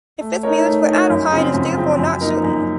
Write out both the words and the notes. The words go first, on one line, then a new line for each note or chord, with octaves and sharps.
A fifth marriage for Adelheid is therefore not certain.
A3
D#4 A#4 C#5
A3
D#4 A#4 C#5
F#2
C#3 F3 C4
F#2
C#3 F3 C4
F#2
F3 A#3 D#4 A#4
F#2